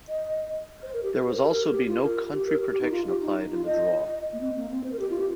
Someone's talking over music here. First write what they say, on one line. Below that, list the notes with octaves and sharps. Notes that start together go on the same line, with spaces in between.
There was also be no country protection applied in the draw.
D#5
C5
A#4
G4
C5
A#4
G4
A#4
G4
F4
A#4
G4
A#4
G4
G4
D#4
F4
G4
D#4
F4
D#5
A#3
C4
A#3
C4
C5
A#4
G4
F4
G4